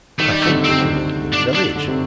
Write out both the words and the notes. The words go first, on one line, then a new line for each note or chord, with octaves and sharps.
I think they came into the village.
D#3 A3
G3
A3
D3
C3
C3 C4
D3
D4
D4
D3
C3